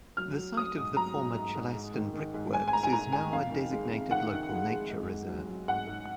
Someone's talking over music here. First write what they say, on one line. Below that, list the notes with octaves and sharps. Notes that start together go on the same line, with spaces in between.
The site of the former Chellaston Brickworks is now a designated Local Nature Reserve.
F#3 F6
F#3
F#3 D#6
G#2
F#3 A#5
F#3
G#2
G#2
G#2
D#3
D#3
G#2
G#3 G#5
G#5
G#3 A#5
G#5
G#2 A#5
G#3 G#5
F2 F5
D#3
G#3
C3
D#3 F#5
D#3
G#3
G#3
G#2
G#2
F#3
F#3
G#2 F#5
G#2